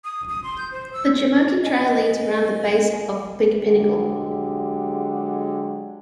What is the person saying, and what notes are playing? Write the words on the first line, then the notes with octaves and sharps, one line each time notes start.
The Jomeokee Trail leads around the base of Big Pinnacle.
D#6
D#6
C6
G6
C5
E6
D#5 G#5
D3 F#3 G#3 G4